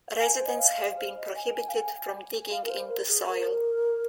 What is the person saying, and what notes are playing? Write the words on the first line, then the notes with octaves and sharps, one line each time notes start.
Residents have been prohibited from digging in the soil.
G#5
C5
D#5
F5
C5
D#5
G#5
G#5
F5
G#5
F5
A#4
C5
A#4
G#4
A#4